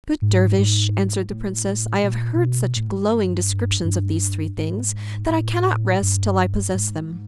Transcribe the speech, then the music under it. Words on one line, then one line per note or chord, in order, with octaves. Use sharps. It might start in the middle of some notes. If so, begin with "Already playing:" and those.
"Good dervish," answered the princess, "I have heard such glowing descriptions of these three things, that I cannot rest till I possess them."
G#2
G#2
A2
A#2
A#2
B2
A2
G#2
G2
G2
G#2
A2
G2
G#2